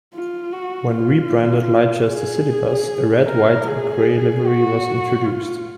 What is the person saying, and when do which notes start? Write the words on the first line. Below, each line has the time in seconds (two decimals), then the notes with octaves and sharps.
When rebranded Leicester CityBus, a red, white and grey livery was introduced.
0.15 F4
0.53 F#4
0.93 F4
2.10 G#4
3.28 A#4
3.68 G#4
4.47 F#4
5.26 F4